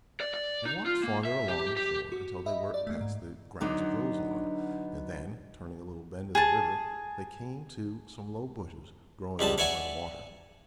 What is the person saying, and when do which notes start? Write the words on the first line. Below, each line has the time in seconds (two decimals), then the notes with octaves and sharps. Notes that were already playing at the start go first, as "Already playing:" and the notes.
They walked farther along the shore until they were past the grounds of Roselawn, and then, turning a little bend in the river, they came to some low bushes growing down by the water.
0.21 D5
0.34 D5
0.65 D#4
0.86 F4
1.04 A#3
1.25 E5
1.48 G4
1.77 G4
2.12 F#4
2.46 D#5 E5 B5
2.74 D5
2.87 A3 A#3
3.01 G#2
3.61 D3 F#3 B3 D4 D#4
6.35 G#4 A5
9.39 C#2 G3 B4 A5
9.58 B4 C#5 D5 E5 F#5 G#5